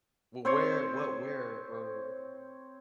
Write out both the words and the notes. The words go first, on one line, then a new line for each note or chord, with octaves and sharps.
Well, where what where or
C4 C5 C#5